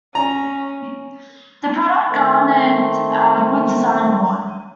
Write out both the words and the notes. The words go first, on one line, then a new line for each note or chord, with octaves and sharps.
The product garnered a Good Design Award.
C#4 A#5
D#3 A3 C4